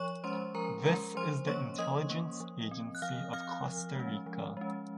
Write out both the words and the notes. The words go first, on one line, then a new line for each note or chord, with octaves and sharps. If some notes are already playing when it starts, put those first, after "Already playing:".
This is the intelligence agency of Costa Rica.
Already playing: F3 C#5 C#6
G#3 C#4 C5 C6
F3 A#4 A#5
G#3 C#4 A#4 A#5
F3 C5 C6
A#3 C#4 C#5 C#6
F3 D#5 D#6
A#3 C#4
F3
C4
F#6
F3 F5 F6
C4 F5 F6
F3
G#3 C#4
F3
G#3 C#4